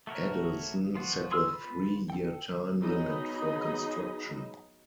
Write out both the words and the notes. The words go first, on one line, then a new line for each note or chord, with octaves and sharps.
Adelson set a three-year time limit for construction.
A3 F#4 A#4 C#5
F3 F4 F#4
G#4 C6 E6 F6
F4 B4 B5
A4 G5
F#3 B3 D#4 G#4 D#5 B5